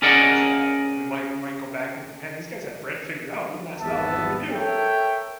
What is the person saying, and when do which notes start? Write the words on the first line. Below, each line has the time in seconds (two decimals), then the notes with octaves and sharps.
Exactly, we might might go back and be, like, man, these guys had bread figured out. We messed up. What do we do?
0.02 C#4 G#4 A#4 D5 D#5 F#5
3.79 G#1 E2 G3 B3 E5 A5
4.52 A4 A#4 C#5 E5 G5